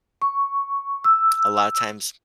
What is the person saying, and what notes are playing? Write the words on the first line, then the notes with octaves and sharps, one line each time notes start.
a lotta times,
C#6
E6